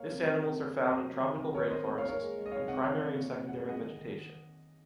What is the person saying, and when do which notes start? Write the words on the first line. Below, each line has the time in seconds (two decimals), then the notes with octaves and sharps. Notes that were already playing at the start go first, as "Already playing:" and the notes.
This animals are found in tropical rainforests, in primary and secondary vegetation.
Already playing: A#3 C#5 F5
0.10 C3
0.25 D#3
0.42 C3
0.57 A#3
0.74 C3
0.90 F#3 C5 D#5
1.06 C3
1.22 D#3
1.38 D#3
1.54 A#3 A#4 C#5
1.71 A#3 C5 D#5
1.87 A#2
1.97 C#5 F5
2.03 A#2
2.08 A#4 C#5
2.19 G#3
2.35 G#3
2.46 D#5
2.52 G#3 C#5 F5
2.68 C3 D#5 F#5
2.83 D#3 C#5 F5
3.00 C3
3.16 A#2
3.32 A#2
3.48 G#3 F#5
3.65 G#3 D#5 F#5
3.81 D#3
3.97 D#3